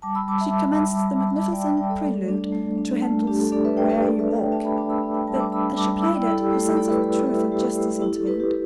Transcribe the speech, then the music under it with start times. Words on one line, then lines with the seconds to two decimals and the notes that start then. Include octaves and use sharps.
She commenced the magnificent prelude to Handel's "Where'er you walk," but, as she played it, her sense of truth and justice intervened.
0.02 G3 A5 D6
0.15 B5 E6
0.28 G3 A5 D6
0.40 E5 A5
0.53 G3
0.78 G3
1.03 G3
1.28 G3
1.52 G3 D5 G5
1.65 D5 G5
1.77 G3 D5 G5
1.90 A4 D5
2.02 A3
2.28 D4
2.52 A3
2.78 D4
3.02 A3
3.27 D4 G4
3.40 A4
3.52 D4 A4 D5
3.65 B4 E5
3.77 A3 D5 G5
3.90 G4 B4
4.02 D4 A4 D5
4.19 B4 E5
4.28 D4
4.36 D5 G5
4.52 D4 E5 A5
4.65 G5 B5
4.77 D4 A5 D6
4.90 B5 E6
5.03 D4
5.14 G5 B5
5.28 G3 E5 A5
5.34 E6
5.40 A5 D6
5.52 D4 B5 E6
5.77 G3 A5 D6
6.02 E4 B5 E6
6.14 D5 G5
6.27 E4 A4
6.40 G4
6.52 A3 A4
6.77 E4 A4 D5
6.90 G4 B4
7.02 A3 A4
7.14 A4 D5
7.27 A3 B4 E5
7.40 G4 B4
7.52 A3 G4
7.77 A3
8.01 E4 G4
8.14 A4
8.27 E4 G4 B4
8.40 G4